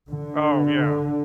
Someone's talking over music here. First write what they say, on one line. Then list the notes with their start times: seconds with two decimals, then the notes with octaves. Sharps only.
Oh, yeah.
0.11 D3